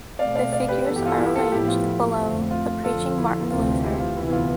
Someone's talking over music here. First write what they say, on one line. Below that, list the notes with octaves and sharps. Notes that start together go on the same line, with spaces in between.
The figures are arranged below the preaching Martin Luther.
B2 A3 C4 D5 F5
D5 F5
D5 F5
G4 B4
G2 E3 B3 A4
G4
F4 A4
E4 G4
F4 A4
A2 F3 B3 E4 G4
F4
F2 D3 A3 C4
F4
F2 D3 F3 F4 A4
E4
F4
D2 C3 E3 A3 C4 F4
E4 G4
E4
F4
D2 C3 E3 B3 E4
E4
F4